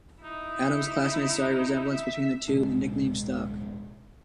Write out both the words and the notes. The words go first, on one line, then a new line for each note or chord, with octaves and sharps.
Adams' classmates saw a resemblance between the two, and the nickname stuck.
D#4 E4
E5
D1 B2 G#3 D4